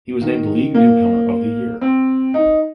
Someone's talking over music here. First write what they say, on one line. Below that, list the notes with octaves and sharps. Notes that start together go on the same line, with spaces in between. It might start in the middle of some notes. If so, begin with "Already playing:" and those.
He was named league newcomer of the year.
D#3
A#3
C4
D#4